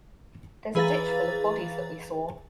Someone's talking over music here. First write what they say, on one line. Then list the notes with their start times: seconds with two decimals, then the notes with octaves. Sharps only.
There's a ditch full of bodies that we saw.
0.75 E3 G#4 B4 F5 A#5 A6